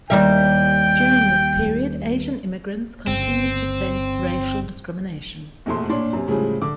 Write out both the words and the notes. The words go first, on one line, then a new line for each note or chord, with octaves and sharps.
During this period, Asian immigrants continued to face racial discrimination.
D#2 G3 E5 G5
G1 C#3 C4
F1 A#1 E2 B2 A3 C6
A#2 D4 C#5 C6
F#2 C3
A2 C#3 F3 G3 G#3
D3 D6